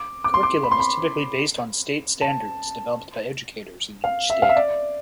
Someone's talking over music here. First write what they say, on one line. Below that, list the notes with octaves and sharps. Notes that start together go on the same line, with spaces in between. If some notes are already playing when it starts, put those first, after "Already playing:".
Curriculum is typically based on state standards developed by educators in each state.
Already playing: D6
D6
C6
D6
B5
C6
B5
A5
F5
E5
F5
E5
D5